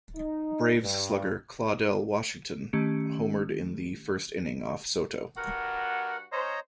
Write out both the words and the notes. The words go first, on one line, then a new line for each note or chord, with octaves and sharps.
Braves slugger Claudell Washington homered in the first inning off Soto.
D#4
G2
D#3 A3 C#4 G4 C#7
G2 F#4 A#4 F#5
C#4 C5 C#5 D#5 A#5